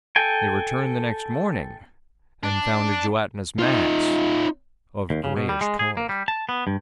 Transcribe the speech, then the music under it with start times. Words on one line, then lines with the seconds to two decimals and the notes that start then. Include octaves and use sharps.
They returned next morning and found a gelatinous mass of grayish color.
0.16 A4 G5 G#5
2.43 D4
3.59 D#4 F4
5.10 D#2
5.24 C#3
5.37 B2
5.49 G3
5.61 G#3
5.79 G#4
5.97 A#3
6.09 G3
6.28 A5
6.49 B3
6.67 G2